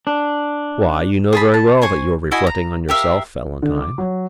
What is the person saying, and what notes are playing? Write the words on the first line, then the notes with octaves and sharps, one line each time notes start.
"Why, you know very well that you are reflecting on yourself, Valentine."
D4
G#4 A5 B5
A5
C5 G#5 C#6
E4 F#4 D#5 G#5
A#5
G4 A#4 E5 F5
D3
D6
F#3